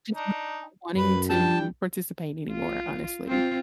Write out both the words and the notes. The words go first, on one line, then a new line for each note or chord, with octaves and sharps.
just really not wanting to participate anymore, honestly.
D4 D#4
F#2 B4
F3 G3 D4 G5 A5
F4
C4 F4